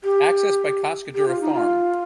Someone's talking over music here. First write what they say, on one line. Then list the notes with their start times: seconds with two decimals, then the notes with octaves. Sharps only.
Access by Cascadura Farm.
0.04 G4
1.15 G4
1.28 F4
1.41 D#4
1.54 F4